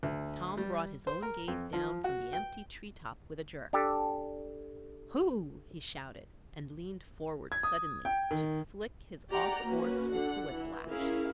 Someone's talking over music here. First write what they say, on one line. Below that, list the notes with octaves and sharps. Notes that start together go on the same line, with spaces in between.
Tom brought his own gaze down from the empty tree-top with a jerk. "Hoo!" he shouted, and leaned forward suddenly to flick his off horse with the whiplash.
D2
G3
C5
A#4
F2
F3
F#4
G5
D4 G4 A4
G#6
D#6
G5
D#3
G4 D5 F#5 G5 A#5
A#3 C#4 F#4 B4
D3 D4 F#5
E3
C#4 E4 G#4 A#4 F5